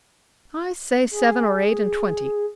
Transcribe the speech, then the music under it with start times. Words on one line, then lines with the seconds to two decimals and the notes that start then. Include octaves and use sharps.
I say, seven or eight and twenty.
1.11 G#4